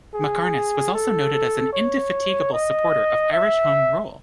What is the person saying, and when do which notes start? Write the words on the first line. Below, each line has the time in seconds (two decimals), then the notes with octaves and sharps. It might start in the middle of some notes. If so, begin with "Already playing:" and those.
Mackarness was also noted as an 'indefatigable' supporter of Irish Home Rule.
0.14 G#4
0.94 A4
1.73 C#5
2.53 D#5
3.32 E5